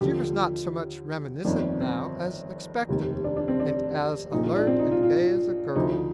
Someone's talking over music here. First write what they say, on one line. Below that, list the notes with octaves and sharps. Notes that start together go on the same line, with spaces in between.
She was not so much reminiscent now as expectant, and as alert and gay as a girl.
D#2 D3 F3 G4
G1 F2 D#3 D4
C4
F1 D#2 D#3
D4
D4
C4
D4
A#1 A#2 F3 D#4
F4
D4
C4
D#4
F4
F4
D2 D3 F3 D#4